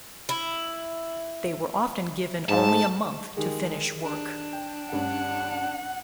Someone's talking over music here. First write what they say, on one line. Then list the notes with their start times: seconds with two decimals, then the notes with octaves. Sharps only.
They were often given only a month to finish work.
0.29 E4
2.49 G#2 A5
3.37 D#3 G#3 G4 G#4
4.05 D4
4.53 G5
4.93 G2 C#4 F#5